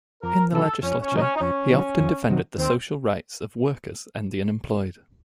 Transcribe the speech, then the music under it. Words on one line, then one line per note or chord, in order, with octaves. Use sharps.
In the legislature, he often defended the social rights of workers and the unemployed.
F2 A#4
C3 D#3 F#3 A4
F2 C#4
C#4
C3 D#3 F#3 D#4
C#4
D#4
F2 C#4
C3 D#3 F#3
F2
C3 D#3 F#3
D#2 C4